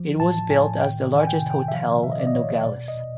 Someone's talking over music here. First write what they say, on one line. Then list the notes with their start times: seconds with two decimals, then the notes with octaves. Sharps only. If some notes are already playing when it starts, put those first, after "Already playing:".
It was built as the largest hotel in Nogales.
Already playing: F3
0.20 A2 A5
0.50 A2 G#5
0.81 D#3 G5
1.12 D#3
1.21 G#5
1.27 G5
1.42 C3
1.51 G5
1.68 E5
1.73 F3 F5
2.04 A#2 E5
2.12 D#5
2.19 D5
2.27 D#5
2.35 A#2 C#5
2.65 B2 D5
2.88 D#5
2.96 B2